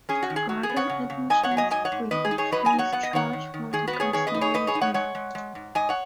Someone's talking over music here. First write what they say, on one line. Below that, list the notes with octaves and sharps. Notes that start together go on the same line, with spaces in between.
Garden admission is free; a fee is charged for the conservatory.
C#4 G#4
F#4
D#3
G#4
F#3 F#4
G#4
B3
C#5 F#5
C#3
C#3
G#2 D#5 G#5
C#5 F#5
F#3
D#5 G#5
G#2 D#5 G#5
C#5 F#5
G#2
D#3 B4 D#5
G#4
D#4
G#4 C#5
F#3 B4 D#5
D#5 G#5
D#4
C#5 F#5
B3 F#5
D#5
D#3 C#5 F#5
D#3
D#3
D#3 G#4
F#4 B4
B3
G#4 C#5
D#3 G#4 C#5
B4 D#5
D#4
G#4 C#5
G#2 B4 D#5
G#4 C#5
D#4
C#5 F#5
G#3 C#5 F#5
G#3
G#3
G#2
G#2 D#5 G#5
C#5 F#5